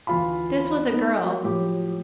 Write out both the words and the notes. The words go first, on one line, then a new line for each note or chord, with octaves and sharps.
This was a girl.
D2 E3 F4 F5 B5
B3 D#4
F#3 A#4
A2 F3 F#3 G4